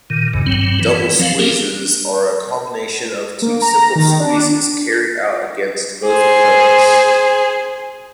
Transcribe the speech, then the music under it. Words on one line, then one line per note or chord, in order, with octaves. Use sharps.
Double squeezes are a combination of two simple squeezes carried out against both opponents.
A#2 D#3
G#1 E2 G2 C#3
G2 F#3 C4
E3
F3 F#3 C4 F5
A#3 C4 C#4 G4 G#4 A#4
A#3
A#5
D#3
D4
G#4 C5